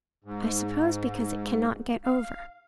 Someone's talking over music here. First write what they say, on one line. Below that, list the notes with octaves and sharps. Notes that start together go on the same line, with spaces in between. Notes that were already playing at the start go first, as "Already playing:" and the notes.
I suppose because it cannot get over.
G#2
F5